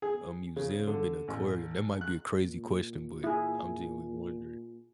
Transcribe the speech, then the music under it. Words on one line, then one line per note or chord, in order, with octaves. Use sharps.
a museum and aquarium? That might be a crazy question, but I'm genuinely wondering.
G#4
C#3
D3
A1
F#6
A#2
E4 G#4